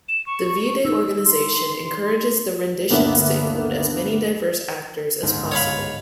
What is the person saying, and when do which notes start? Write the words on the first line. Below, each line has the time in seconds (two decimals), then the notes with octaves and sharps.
The V-Day organization encourages the renditions to include as many diverse actors as possible.
0.09 E7
0.26 C#6
0.85 D#4 E6
1.25 C6
2.89 G1 D2 A#3 B3 D4 E5
5.22 G1 C#2 G#2
5.52 C#5 F5 B5